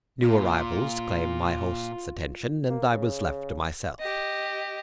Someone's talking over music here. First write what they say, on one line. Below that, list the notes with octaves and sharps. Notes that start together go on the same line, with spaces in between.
New arrivals claimed my host's attention, and I was left to myself.
A#2 F4
A#3
C#3
G4 D#5